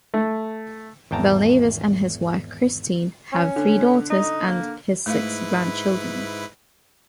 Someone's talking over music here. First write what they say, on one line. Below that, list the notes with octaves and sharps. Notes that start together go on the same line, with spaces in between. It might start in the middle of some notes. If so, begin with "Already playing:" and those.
Belnavis and his wife Christine have three daughters and his six grandchildren.
A3
G#1 E2 G5 A5 A#5
C#4
D3
D#4
A#3
G#2 A3 E4 B4 F5